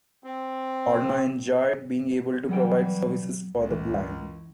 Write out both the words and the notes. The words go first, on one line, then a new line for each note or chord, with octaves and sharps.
Horner enjoyed being able to provide services for the blind.
C4
E3 F#3 G3 F#5 G5
C#2 F#2
E3